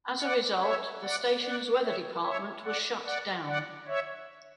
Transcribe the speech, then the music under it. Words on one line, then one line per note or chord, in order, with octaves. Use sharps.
As a result, the station's weather department was shut down.
D5 F#5
C#5 E5
D5 F#5
D5 F#5
C#5 E5
C#5 E5
D5 F#5
D5 F#5
D5 F#5
C#5 E5